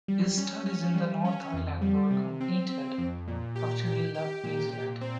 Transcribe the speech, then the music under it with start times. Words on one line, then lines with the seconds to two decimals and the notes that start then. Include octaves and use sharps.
His studies in the North Island were completed after he left New Zealand.
0.08 G3
0.37 C#4
0.66 C#4
0.94 G3
1.24 C#4
1.54 F2
1.81 G3
2.11 C3
2.40 C4
2.69 C4
2.98 F2
3.28 A#2
3.56 G4
3.86 G4
4.14 G4
4.44 A#2
4.73 A#2
5.01 C4